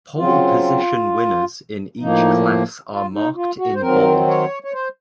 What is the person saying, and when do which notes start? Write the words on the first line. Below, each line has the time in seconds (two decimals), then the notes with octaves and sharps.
Pole position winners in each class are marked in bold.
0.17 C#3 F#3 C4 F4
1.99 A2 F3 A#3 D#4
2.90 F4
3.13 D#4
3.35 F4
3.58 F#4
3.75 C5
3.81 D#3 F#3 C4 A#4
4.27 C#5
4.64 C#5
4.72 C5